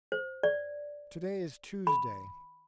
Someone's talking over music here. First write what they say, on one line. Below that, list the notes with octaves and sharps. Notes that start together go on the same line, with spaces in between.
To-day is Tuesday.
C5
D5
B5